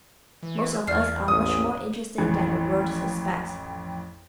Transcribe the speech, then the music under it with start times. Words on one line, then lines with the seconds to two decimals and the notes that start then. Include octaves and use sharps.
Most of us are much more interesting than the world suspects.
0.43 E3
0.88 E2 D5 F6 C7
1.28 A1 D#6
2.18 A1 F2 E3